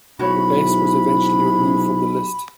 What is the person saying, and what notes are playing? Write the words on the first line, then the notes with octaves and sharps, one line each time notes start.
The base was eventually removed from the list.
B1 G#3 C4 E4 F#4 C#5 B5